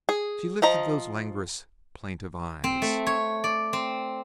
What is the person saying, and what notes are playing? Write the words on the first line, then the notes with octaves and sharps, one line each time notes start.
She lifted those languorous, plaintive eyes.
G#4
F3 D#5 A#5
C4
A3
C#5
D5
C4